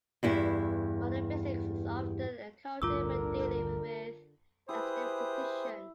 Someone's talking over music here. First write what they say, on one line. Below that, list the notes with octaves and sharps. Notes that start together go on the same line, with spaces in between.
Modern physics is often encountered when dealing with extreme conditions.
E2 G2 E4
A1 D2 G2 D3 F4 A#4 D6 E6
E4 G4 G#4 B4 C5 D#6